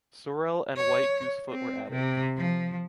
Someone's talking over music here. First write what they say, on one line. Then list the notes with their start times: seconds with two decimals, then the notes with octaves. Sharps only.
Sorrel and White Goosefoot were added.
0.77 C#5
1.50 C4
1.91 C3
2.37 F3